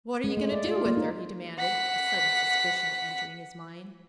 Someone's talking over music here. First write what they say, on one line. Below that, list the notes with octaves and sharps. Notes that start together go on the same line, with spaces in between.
"What are you going to do with her?" he demanded, a sudden suspicion entering his mind.
G#3
A3
D5
F4
A#3
D#4
F#5 B6